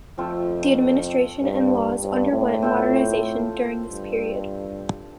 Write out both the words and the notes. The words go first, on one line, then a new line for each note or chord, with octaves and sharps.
The administration and laws underwent "modernization" during this period.
F2 F3 A3 C4 F4
G2
G2
A2
C4 F4 A4 C5
G2